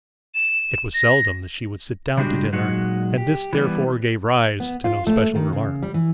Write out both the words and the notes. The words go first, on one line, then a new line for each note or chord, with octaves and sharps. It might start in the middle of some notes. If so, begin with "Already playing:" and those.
It was seldom that she would sit down to dinner, and this therefore gave rise to no special remark.
E7
A#6
C#3 G3 G#3 D4 F#4 G4
A#2 F#3 G#3 D#4 F#4
G4
E3 G3 B3
B3
F4
A3
D#3
C#3
G3
E3